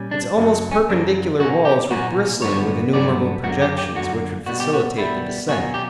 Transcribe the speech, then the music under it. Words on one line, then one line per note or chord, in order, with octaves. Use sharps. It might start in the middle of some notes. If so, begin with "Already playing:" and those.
Its almost perpendicular walls were bristling with innumerable projections which would facilitate the descent.
Already playing: A#2 G3 C#4
D4
F#2 C#3 F#3 A#3
C#4
F#2 C#3 F#3 A#3 D4
B1 A#2 A#3 C#4 F#4
G4
B1 A#2 A#3 C#4 F#4
G2 D3 F#3 B3 C#5
G2 D3 F#3 B3 D5
F#2 D3 A#3 F#4
G4
G4
F#2 D3 A#3 F#4
B2 G3 B3 F#4
G4
F#4
B2 G3 B3 E4
B2 F#3 A#3 C#4 F#4
G4